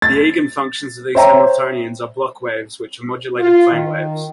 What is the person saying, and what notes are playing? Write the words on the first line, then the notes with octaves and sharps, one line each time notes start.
The eigenfunctions of these Hamiltonians are Bloch waves which are modulated plane waves.
A6
C5 C#5 E5 G5 A#5
F4
D#3